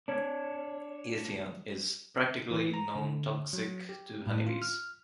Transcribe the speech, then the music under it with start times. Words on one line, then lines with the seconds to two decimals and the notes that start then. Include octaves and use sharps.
Ethion is practically nontoxic to honeybees.
0.08 D4 C#5
2.51 E3
2.74 A#5
2.95 D3
3.53 F#3
3.89 G4
4.27 A2
4.47 F4
4.62 F6